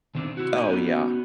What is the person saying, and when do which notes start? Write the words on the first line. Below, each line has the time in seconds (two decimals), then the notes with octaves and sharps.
Oh, yeah.
0.15 C3 D#3 C4 D4
0.37 E4 F#4
0.54 A#3 D#4 G4 D5
0.69 B3 C#4 D#4 F#4